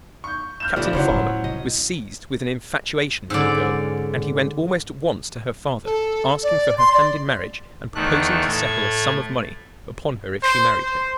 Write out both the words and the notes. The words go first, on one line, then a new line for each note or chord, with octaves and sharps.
Captain Farmer was seized with an infatuation for the girl, and he went almost at once to her father, asking for her hand in marriage and proposing to settle a sum of money upon her if she married him.
C#6 G6
F6 G6 E7
F1 B2 F3 G3 D5 E5
C#3 F#3 C#4 E4 C5 C#5 F#5
A2 F3
C2 D#5
G#2 D3 C#4 D5 E6
A4
D5
C6
D5
E2 D#3 A3 F#6
A2 A3 G#6
C5
C5